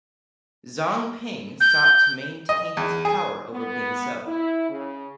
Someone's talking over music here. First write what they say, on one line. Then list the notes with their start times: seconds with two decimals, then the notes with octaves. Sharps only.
Zhang Ping sought to maintain his power over Bingzhou.
1.61 G6
2.49 D#5
2.77 E2
3.05 G#4
3.53 B3
4.26 E4
4.70 C#3